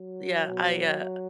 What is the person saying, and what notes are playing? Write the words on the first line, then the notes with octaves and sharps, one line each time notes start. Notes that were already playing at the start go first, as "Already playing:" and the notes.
Yeah. I, uh,
Already playing: F#3
B2